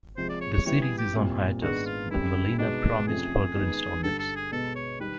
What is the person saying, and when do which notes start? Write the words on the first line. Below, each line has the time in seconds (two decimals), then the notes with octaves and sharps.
The series is on hiatus, but Molina promised further installments.
0.17 C3 F3 G#3 C5
0.29 D5
0.41 C#5
0.53 C#5
0.65 E3 G3 B3 E4 C#5
0.82 G#4
0.98 G4
1.13 A#2 G3 C4 E4
1.62 G#2 D#3 G#3 B3 D4 F#4
1.86 F4
2.10 F#2 D3 G3 C4 E4
2.58 B2 G#3 B3 D4 D#4 F#4
3.07 F2 C3 F3 A3 C#4 G#4
3.55 D#3 G#3 B3
4.03 G2 D3 G3 A4
4.19 A4
4.36 G#4
4.51 B2 G#3 B3 A4
4.75 C#5
5.00 D#3 G3 B4